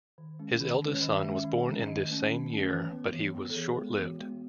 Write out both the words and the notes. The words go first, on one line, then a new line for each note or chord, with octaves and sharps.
His eldest son was born in this same year, but he was short-lived.
D#3
G#3 C#4
D#3
G#3 C#4 B4
C#5
D#3 D#5
E5
G#3 C#4
E5
D#3
G#3 C#4
D#3 D#5
A3 C#4
D#3
A3 C#4
E3 B4
B3
E3
B3
A4
E3 G#4
G#3 B3
E3 F#4
G#3 B3